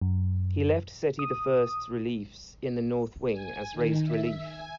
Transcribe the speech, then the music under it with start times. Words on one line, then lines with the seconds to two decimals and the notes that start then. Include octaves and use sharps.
He left Seti the First's reliefs in the north wing as raised relief.
0.02 F#2
1.19 D#6
3.32 G#5
3.72 D#3
4.04 E5
4.44 G#5